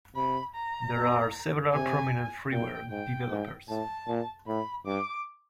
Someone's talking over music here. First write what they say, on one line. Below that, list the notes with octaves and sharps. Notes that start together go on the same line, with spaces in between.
There are several prominent freeware developers.
C3 B5
A#5
B2
C3 G#5
A#2 G5
G#2 G5
G#2
A2 A5
A#2
A2 B5
G2 D6